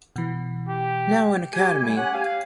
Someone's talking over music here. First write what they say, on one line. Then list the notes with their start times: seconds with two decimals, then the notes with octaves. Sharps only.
Now an Academy.
0.16 B2 E3
0.68 G4
1.53 G#3 G4 G#5
1.82 D3 G3 A3
1.97 C#4 G4 F#5
2.14 G4 F5